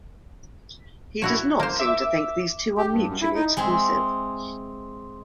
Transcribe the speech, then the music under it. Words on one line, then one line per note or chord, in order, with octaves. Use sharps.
He does not seem to think these two are mutually exclusive.
E4 F#4 C#5
A#3 C5
E5 D6 E6
G4
G2
F#2
E4
D#4
G#3 C4 G#4 E5